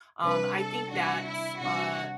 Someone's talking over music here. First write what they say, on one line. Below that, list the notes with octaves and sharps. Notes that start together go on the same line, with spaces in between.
Um, I think that's uh,
C3 G3 D4 B4
A4
C3 G3 D4 F#4
E4
C3 G3 D4 F#4